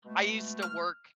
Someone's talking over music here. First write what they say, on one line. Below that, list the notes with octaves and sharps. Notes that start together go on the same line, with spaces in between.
I used to work
B2 G#3 A3
F6